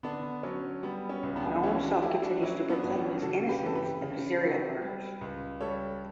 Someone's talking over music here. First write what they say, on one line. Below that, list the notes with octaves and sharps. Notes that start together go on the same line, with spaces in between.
Ono himself continues to proclaim his innocence in the serial murders.
D3 B3 D4
F#3 C#4
G3 B3
C#4
C#2
B3 D4
E3 C#4 E4
D4 F#4
A3 E4 G4
D4 F#4
F#3 C#4 E4
B3 D4
G1
C#4
C#3 F#4 A4
G4 B4
E3 A4
G4 B4
C#3
F#3
G3
C#2
G3 A4 C#5